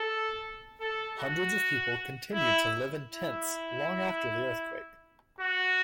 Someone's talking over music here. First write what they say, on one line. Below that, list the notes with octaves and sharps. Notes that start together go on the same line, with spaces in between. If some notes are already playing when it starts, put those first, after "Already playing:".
Hundreds of people continued to live in tents long after the earthquake.
Already playing: A4
A4
F#4
E4
E4
F#4